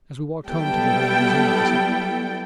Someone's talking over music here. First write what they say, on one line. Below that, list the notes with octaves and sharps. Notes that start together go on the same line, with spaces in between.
As we walked home together I resumed the subject.
F#3 G3 B3 E4 A4 G5